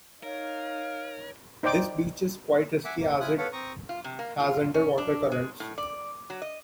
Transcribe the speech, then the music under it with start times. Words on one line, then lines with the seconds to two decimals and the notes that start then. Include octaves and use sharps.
This beach is quite risky as it has underwater currents.
0.23 D#4 A#4 C#5 F5
1.63 D#4 C5 D5 G5 D6
2.85 E5 F#5 G#5 D6
2.99 A#3
3.20 E4 F4 G#5 D#6 F#6
3.38 B3 A4 B4 C#5 F5 F#5
3.52 C4 A#5 C#6 D#6
3.89 F4
4.04 C3
4.19 A#3
4.40 F4
4.74 C#4
4.98 D4
5.32 G#3
5.60 A2
5.78 D5
6.30 F#3
6.42 D#5